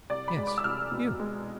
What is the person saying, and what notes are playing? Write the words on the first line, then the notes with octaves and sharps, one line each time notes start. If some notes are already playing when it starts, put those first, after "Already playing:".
"Yes, you."
C2 D5
B5
G#3
D6
E6
C2 F6
B2
G#3